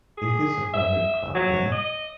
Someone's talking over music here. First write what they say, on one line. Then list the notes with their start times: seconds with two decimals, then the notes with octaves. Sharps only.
Is this a private club here?
0.18 G#4
0.73 E5
1.35 F#3
1.72 D#5